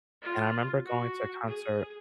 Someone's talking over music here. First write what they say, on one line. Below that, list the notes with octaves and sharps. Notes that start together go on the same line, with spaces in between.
and I remember going to a concert
F4
F#4
G#4